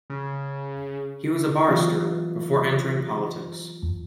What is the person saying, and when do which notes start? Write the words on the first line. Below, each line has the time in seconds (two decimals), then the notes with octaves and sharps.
He was a barrister before entering politics.
0.10 C#3
1.68 E3 F#3 B3 E4 F4 D#5